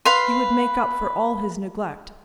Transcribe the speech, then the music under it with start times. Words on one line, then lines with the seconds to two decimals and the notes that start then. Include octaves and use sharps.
He would make up for all his neglect.
0.05 B4 F5 C6